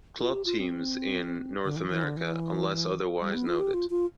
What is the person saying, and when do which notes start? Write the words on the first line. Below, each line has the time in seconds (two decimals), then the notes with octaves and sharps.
Club teams in North America unless otherwise noted.
0.19 F4
0.33 G4
0.45 F4
0.59 C4
1.64 D3
1.76 E3
1.89 E3
2.03 D3
2.17 E3
3.21 G3
3.34 B3
3.47 F4
3.59 G4
3.74 F4
3.90 F4